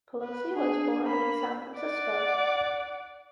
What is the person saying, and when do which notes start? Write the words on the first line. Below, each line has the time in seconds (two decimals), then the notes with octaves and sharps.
Pelosi was born in San Francisco.
0.22 B4
0.56 D4 G#4
1.04 A#3 B5
1.77 D5 F#5